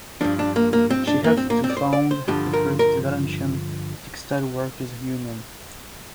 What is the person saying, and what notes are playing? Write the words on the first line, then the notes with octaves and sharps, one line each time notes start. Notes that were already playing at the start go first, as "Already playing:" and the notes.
She helped to found the first Valencian Textile Workers' Union.
G2 F3 D4
D4
A#3
A#3
C4
D4
A#3
C4
A#3
C4
D5
C5
D5
C5
G2 D3 F3 G4
A#4
A#4